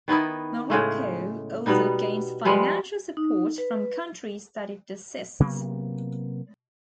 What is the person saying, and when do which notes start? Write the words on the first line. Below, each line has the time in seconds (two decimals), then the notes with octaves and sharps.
Morocco also gains financial support from countries that it assists.
0.08 D#3 B3 D#4 E4
0.70 A2 C#3 G#3 A3
1.66 B2 G3 B3 D#4
2.45 F3 G3 G#3 B4
3.17 D#4
3.58 B4
5.40 C3 F#3 A#3 B3